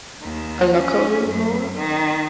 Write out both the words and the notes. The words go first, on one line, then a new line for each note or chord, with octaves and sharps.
A Locker Room Mole?
D#2
C#4
F#2
D#3